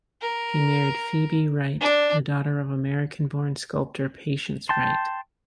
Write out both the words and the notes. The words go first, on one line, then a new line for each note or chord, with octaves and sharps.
He married Phoebe Wright, the daughter of American-born sculptor Patience Wright.
A#4
D4
G5 A5 C6